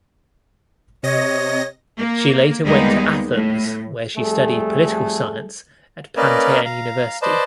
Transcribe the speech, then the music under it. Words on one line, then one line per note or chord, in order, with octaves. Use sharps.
She later went to Athens where he studied political science at Panteion University.
C3 C#5 D#5 A#6
A#3
D#2 G3 G#3 A#3 B3 D#4
A2
F2 G3 A3 G#4 A4
A#3 C#4 A#4 B4 D5 D#5
F5 A#5
B4 C5 D5 D#5 A5